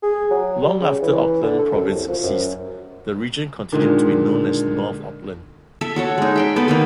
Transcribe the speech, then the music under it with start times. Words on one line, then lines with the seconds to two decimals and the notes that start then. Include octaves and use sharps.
Long after Auckland Province ceased, the region continued to be known as North Auckland.
0.03 G#4
0.31 F#3
0.63 G3
0.80 C#3
1.02 E3
1.43 D3
1.59 A4
1.73 F#2
1.93 C2
2.08 F3
2.23 F#2
3.72 A#2 D3 D#3 G#3
5.81 A4 E5
5.96 F#4 A4 C#5
6.18 G#3 D#4
6.36 E5 G5 C6
6.56 A3 B3 A4 B4
6.68 D#3 A#3 B4